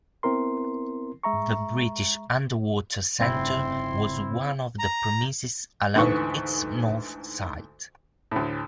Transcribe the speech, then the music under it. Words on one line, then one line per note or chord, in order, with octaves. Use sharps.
The British Underwater Centre was one of the premises along its north side.
B3 C4 E4 A#4 C6
G#3 E5 A#5 C#6
F1 G2 C#3 C4 E4 C6
A#5
D2 G#2 E3 C#6
D2 A2